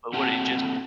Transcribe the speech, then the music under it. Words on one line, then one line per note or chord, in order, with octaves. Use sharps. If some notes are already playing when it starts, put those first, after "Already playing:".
but would it just
A3 A#3 C4 F#4 F#5 A5